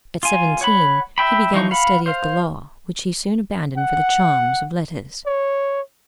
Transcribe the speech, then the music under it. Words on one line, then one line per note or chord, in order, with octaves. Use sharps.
At seventeen he began the study of the law, which he soon abandoned for the charms of letters.
F4 G#5
C#5 F#5 B5
E5 G5 B5
E3 F3 D#4 C#6
F5 F#5 B5
C5 F5
F#5
C#5